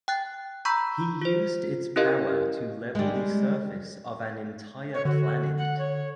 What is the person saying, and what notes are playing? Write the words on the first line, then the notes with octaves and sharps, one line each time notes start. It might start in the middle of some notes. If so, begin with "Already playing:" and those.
He used its power to level the surface of an entire planet.
G5 F#6 A6
A#5 B5 C#6 E6 G6 B6
F4 C5
C#4 E4 G4 A#4 D#5 F5
G3 G#3
C#5
D3 F#4
F#5
C#5